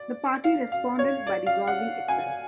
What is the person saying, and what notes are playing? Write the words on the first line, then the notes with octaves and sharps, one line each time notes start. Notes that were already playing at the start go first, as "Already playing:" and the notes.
The party responded by dissolving itself.
Already playing: D5
F5
F5
C#5
D5
F5
F#5
G#5